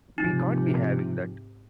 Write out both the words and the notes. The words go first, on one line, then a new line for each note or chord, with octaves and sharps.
We can't be having that!
G#2 C3 F3 D#4